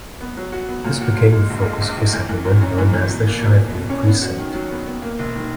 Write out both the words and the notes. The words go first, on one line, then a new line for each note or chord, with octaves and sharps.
This became the focus of a settlement known as the Shively precinct.
B3
F#3
F#4
B3
A#2
F#4
A#2
G#3
A#1
G#3
A#1
A#1
E3
E3
F#2
C#4
E3
E3
B2
A#3
B2
B2
B2
C#4
B3
F#4
D#3
F#3
B3
B3
A#3
E1
D#3